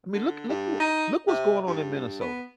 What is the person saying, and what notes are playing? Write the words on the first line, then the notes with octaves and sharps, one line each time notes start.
I mean, look look who Look what's going on in Minnesota,
D3
G2
D#4
C3
G2
B3